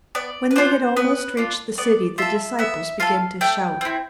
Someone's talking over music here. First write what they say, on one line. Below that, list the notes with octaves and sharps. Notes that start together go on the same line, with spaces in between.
When they had almost reached the city, the disciples began to shout.
B3 D5
B4
D4 F4 C5
B3 B4
D4 F4
B3 D5
F4 A4 E5
B3 E5
F4 A4 F5
A3 G5
C4 E4